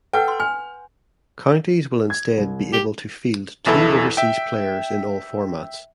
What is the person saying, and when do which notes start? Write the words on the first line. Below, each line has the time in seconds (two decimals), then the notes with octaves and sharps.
Counties will instead be able to field two overseas players in all formats.
0.13 A4 B4 F#5 G5
0.28 C6
0.40 G#5 F6
2.10 G#6
2.37 C2
2.73 G4
3.66 B1 E2 E4 A4
4.17 E5 G5